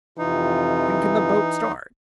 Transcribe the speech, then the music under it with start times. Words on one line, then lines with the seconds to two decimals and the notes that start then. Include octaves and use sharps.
"When can the boat start?"
0.18 F2 C3 E3 D#4 F4